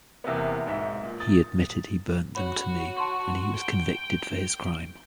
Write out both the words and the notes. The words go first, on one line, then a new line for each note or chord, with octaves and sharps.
He admitted he burnt them to me, and he was convicted for his crime.
E2 C3 A#3 B3
B1 G#2 E5
A#2
D#6 A6
F#4 C#5 B5
A5 C6 C#6
G5